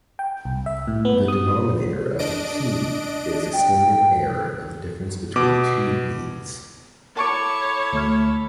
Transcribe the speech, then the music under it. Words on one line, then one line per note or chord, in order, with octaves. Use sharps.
The denominator of "t" is the standard error of the difference between two means.
G5
C2
E5
A2
B3
D#6
D4 D#5 D7
G5
B2 D6
E4 A4 C#5 A5 C#6 D6
D2 A3 F6